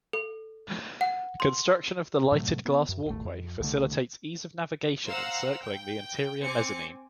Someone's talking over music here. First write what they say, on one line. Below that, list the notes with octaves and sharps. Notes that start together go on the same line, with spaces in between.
Construction of the lighted glass walkway facilitates ease of navigation encircling the interior mezzanine.
A4
F#5
C6
A2 C3 F#3 A3
B3
F#2
D#1 G#1 A3
F2
C2 D3 A3
C5 F5 F#5 A#5 E6
G5
C4 G#5 D6 C#7